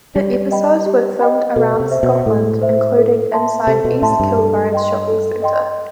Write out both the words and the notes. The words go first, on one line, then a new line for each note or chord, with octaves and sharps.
The episodes were filmed around Scotland including inside East Kilbride Shopping Centre.
G3 G4
D#5 G5 B5
G4
D#5 G5 B5
B2 A4
C3
C5 E5
B2
A2 A4
C5 E5
A4
E5 A5 C6
C3 A4
B2
A2 E5 A5 C6
G2
A4
D#5 G5 C6
A4
D#5 G5 C6